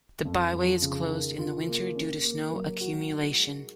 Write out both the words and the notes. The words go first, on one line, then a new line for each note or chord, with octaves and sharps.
The byway is closed in the winter due to snow accumulation.
F2
F3
C#3
D#3
F4
A#3
C#4
A#3
F#3
F#4
D#4
G#3